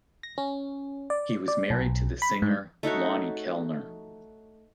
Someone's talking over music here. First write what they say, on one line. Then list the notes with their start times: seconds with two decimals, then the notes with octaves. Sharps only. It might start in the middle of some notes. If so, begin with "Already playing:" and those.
He was married to the singer Lonny Kellner.
0.23 A#6
0.38 C#4
1.10 D5
1.48 D5
1.70 B1
2.22 B5
2.42 G#2
2.83 A3 D#4 F#4 C#5